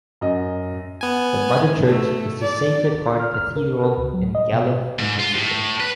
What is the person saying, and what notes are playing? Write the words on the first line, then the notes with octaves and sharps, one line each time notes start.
The mother church is the Sacred Heart Cathedral in Gallup, New Mexico.
F#2 D#5
B3 G#5
A3
D5
F6
F6
A#4
A#4
C#2
F#3
D#5
B2
G#2
F4
A2
B4